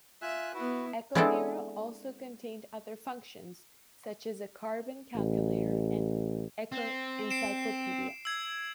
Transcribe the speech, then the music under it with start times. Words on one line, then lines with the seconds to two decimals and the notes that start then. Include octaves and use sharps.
Ecohero also contained other functions, such as a carbon calculator and eco-encyclopedia.
0.22 F4 E5 G#5 F#6
0.54 B3 E4 F#4 B4
1.15 G#3 B3 C4 D4 E4 A4
5.16 A1
6.72 C4
7.30 C7 D7 E7
8.25 E6 G#6